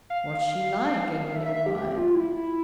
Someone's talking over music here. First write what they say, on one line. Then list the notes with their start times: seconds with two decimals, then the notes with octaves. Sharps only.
"What's she like?" Edwin inquired.
0.10 F5
0.41 F5
1.35 E5
1.46 E5
1.56 E5
1.66 G4
1.98 F4
2.14 E4